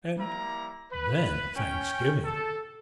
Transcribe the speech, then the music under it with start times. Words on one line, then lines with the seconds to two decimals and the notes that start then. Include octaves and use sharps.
And then Thanksgiving!
0.18 G3 A#3 E4 A#5
0.91 B4
1.55 C#4 G5
2.24 A4